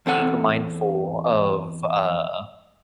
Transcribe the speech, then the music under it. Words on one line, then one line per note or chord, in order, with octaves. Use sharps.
being mindful of uh
E2 C4 A4 F#5